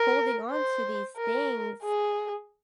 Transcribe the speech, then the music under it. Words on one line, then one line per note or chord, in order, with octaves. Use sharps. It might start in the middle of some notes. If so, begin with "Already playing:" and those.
holding onto these things
Already playing: A#4
C5
A#4
G#4